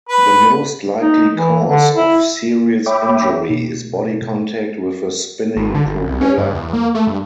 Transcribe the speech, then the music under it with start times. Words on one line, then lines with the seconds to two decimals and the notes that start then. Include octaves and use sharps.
The most likely cause of serious injury is body contact with a spinning propeller.
0.09 B4
1.00 D#4
1.34 E3
1.66 D3
1.95 E4
2.86 C#5 E5 G5 B5 D6
3.50 B2
5.56 G#1
5.75 D3
5.86 G1
6.06 C2
6.21 C#4
6.38 G2
6.55 E2
6.73 A#3
6.95 A3
7.07 G2